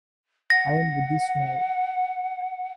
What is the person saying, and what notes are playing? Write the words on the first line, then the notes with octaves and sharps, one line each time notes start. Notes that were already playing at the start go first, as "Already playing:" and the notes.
I am Buddhist now.
F#5 A#6